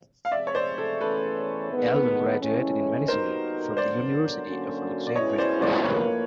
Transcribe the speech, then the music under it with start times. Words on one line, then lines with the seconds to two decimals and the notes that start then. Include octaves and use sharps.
Alwan graduated in Medicine from the University of Alexandria.
0.25 F5
0.31 C3 F3 G#3 D5 E5
0.47 C#5
0.55 C5 D5
0.78 A4
1.00 E2 C#3 E3 A3 C#4 A4 B4
1.70 D#3 G#3 B3
2.39 A2 E3 G#3 C#4 E4
3.08 A#2 G3 B3 D#4 F#4 A#4 C5
3.77 G2 D3 F#3 B3 D4 C5 D5
4.46 D3 F#3 A#3 C#4 F#4
5.07 D5
5.15 B2 G#3 C#4 E4 C#5 D#5
5.38 C5 D5
5.62 C5 D5
5.85 A2 F3 A#3 B4 C#5